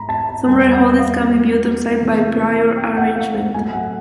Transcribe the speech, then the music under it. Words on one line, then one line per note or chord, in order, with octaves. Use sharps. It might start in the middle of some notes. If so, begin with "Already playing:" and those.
Some rare holdings can be viewed on site by prior arrangement.
Already playing: G#2 A#5 B5
A5
A5
E2 B2 G3 A#3 G#5
F#5
F5
C3 E3 G#3 B3
G5
F#5
F5
F#5
A2 F#3 A3 G#5
F#5